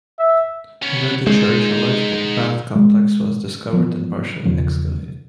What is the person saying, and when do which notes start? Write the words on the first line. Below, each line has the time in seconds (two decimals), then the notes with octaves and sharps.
Under the church, a large bath complex was discovered and partially excavated.
0.19 E5
0.82 B3 C#4
1.27 G#3 D#4 C5
2.75 G#3
3.73 E3 F3 G#3 B3
4.45 E2 C#3 F3